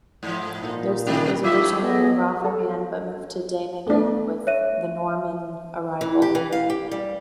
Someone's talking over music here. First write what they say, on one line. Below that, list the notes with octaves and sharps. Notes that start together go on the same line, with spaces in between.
Their seat was originally in Rathangan but moved to Daingean with the Norman arrival.
G#2 F3
A#2 D#4
C3 D#3
A2 F#3 F4 E5 D6 E6
B3 G#4 D#5
F#4 A4
A3 B3 D4
C#5 E5 D#7
E3
G4
E3
F5
G4
G3